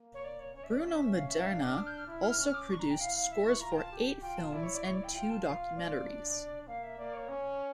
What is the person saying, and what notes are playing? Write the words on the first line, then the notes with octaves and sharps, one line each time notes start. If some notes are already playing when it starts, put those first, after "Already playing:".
Bruno Maderna also produced scores for eight films and two documentaries.
Already playing: A#3
C#5
D5
C#5
C#4 C#5
E5
D5
C#4 E5
E5
F5
E5
D4 F5
D6
F6
G6
F6
E4
F6
C#4 F6
D6
D4 C#6
A#5
G5
E4 F5
F5
E5
C#6
F4 A#5
G5
A5
G4
F4 G5
A5
E4 D5
C#5
D5
E4 C#5
D5
G5
F4 G5
A5
F5
D5
D4
A#3 F5
E5
A#3 D5
C#5
C#4